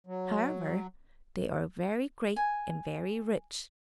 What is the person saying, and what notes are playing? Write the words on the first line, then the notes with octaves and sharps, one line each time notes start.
However, they are very great and very rich.
F#3
G#5